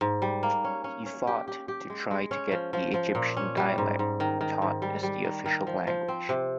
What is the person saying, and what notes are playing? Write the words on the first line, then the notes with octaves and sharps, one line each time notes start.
He fought to try to get the Egyptian dialect taught as the official language.
G#2
G3
A#3
C#4
C#4
C#4
G4
G4
G4
G#3
G#3
C#4
F3
F3
F3
A#2
C#4
G3
G#2
G#2
D#3
D#3
G#2
G3
G3
D#3
D#3
F3
F3
C4
C3